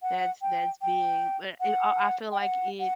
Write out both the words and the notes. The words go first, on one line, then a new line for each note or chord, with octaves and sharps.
That's, that's big, but it I I feel like it
F#5
G5
G5
F#5
G5
F#5
F#5